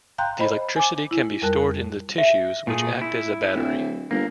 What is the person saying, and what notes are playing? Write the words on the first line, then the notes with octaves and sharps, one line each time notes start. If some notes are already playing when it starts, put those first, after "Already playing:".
The electricity can be stored in the tissues, which act as a battery.
F5 G5 A#5 C6 F#6 G6
C5 D#5 B5
G#5 D6
E4
F2 G3 A#4 A5 F#6
E5
A#2 A3 G#4
E4
D1
G1 A#3